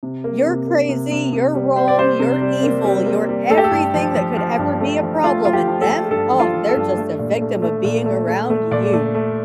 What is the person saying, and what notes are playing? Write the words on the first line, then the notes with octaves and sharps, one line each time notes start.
"You're crazy, you're wrong, you're evil, you're everything that could ever be a problem. And them? Oh, they're just a victim of being around you."
C3
A#3
C3
A#3
C3
C3
C3
G3
G3 C5
D5
G3 C5
C3
G3
A#3
G3
A#3
G3
A3 A4
G4
A4
G2
F3
F3
F3
G2
A3
F3
A3 F4
A3 F4
G4
F3
A4
A3
G2 A4
F3
F4
F3
A4
G2
A3
A#2
A3
A3
A#2
A3
A3
A3
A#2 D5
A3
A3